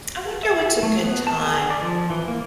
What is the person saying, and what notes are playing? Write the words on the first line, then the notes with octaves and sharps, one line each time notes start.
I wonder what's a good time
E5
A3
B3
A5
G#4
D5
F3
E3
A#3